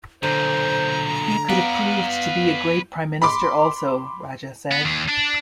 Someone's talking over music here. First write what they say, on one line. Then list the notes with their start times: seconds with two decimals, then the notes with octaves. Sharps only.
He could have proved to be a great prime minister also, Raja said.
0.23 B1 A#2 D3 C5 A#5
1.49 B3 B4 D5 F5
3.22 B5 C6 D6
4.71 B3
4.85 D#2
5.09 D4